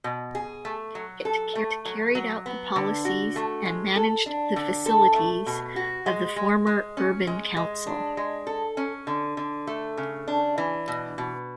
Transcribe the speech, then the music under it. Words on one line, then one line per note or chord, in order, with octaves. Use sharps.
It carried out the policies and managed the facilities of the former Urban Council.
B2
G#4
A3
F#3
A4
A3
F#3
F#3
B3
D3
F#4
A3
G#3
A4
D4
D3
A4
A3
B2
F#4
G#3
G#3
G#3
C#4
G#3
G#3
D4
G#3
A4
C#4
D3
D3
A3
C#3
D4
E3
B2
B2